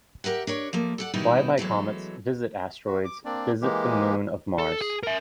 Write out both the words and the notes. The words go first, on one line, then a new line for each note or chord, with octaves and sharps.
Fly by the comets, visit asteroids, visit the moon of Mars.
G4 A#4 E5 F#5
D4 A#4 C#5
F3 A3 A#3
A4 D5 F#5
B2 D#3 E3 G3 D#4 E4
E3 F#3 G#3 A3
F#4
D6
A#3 C4 D4 D5
E3 G#3 A#3 G4
A4
G#4
A#4 E5